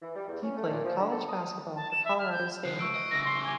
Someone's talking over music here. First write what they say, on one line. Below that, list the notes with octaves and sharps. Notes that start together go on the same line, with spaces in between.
He played college basketball for Colorado State.
E3
G3
E2
C#4
A3
A#2
F3
D3
A4
D#6
A5
E7
E5
F6
G6
C#3 F3 F#6 C7
C#6 E6 D7
D#5
C#3 E3 A#6
C6
G#5 D6 G7